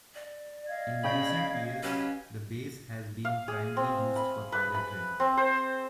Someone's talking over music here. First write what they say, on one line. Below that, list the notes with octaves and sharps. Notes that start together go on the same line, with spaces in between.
In recent years the base has been primarily used for pilot training.
D5
D#5 F5 G#6
C#3 G5 B5
F#3 C#4 G4 B4
F5
G#4
C4
B5
B4
B5
C4
C5